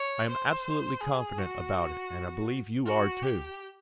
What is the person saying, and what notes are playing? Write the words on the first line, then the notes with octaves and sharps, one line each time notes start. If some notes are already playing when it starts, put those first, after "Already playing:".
I am absolutely confident about it, and I believe you are too.
Already playing: C#5
C5
G#4
F#4
F#4
G4